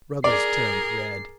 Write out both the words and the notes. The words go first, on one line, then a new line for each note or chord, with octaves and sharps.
Ruggles turned red.
G#4 A#4 D5 C7